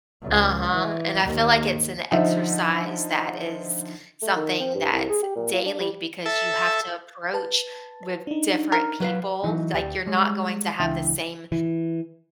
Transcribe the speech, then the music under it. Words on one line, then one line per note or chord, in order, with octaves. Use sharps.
Uh-huh, and I feel like it's an exercise that is something that's daily, because you have to approach with different people. Like you're not going to have the same
C#2
E3
D#2
D3 F3 D#4 D#5 E5
A3
D#3
C4
G2
C2
G#4
G4
A#2
F4
D4
G3
A4 E5
B4 A5
D4 D#4
A#4
F#3 B4 F5
E3 F#3 D#4
D2 G4 D5
G3 G#3 C#5
C#2 E3 D4 E5 G5
E3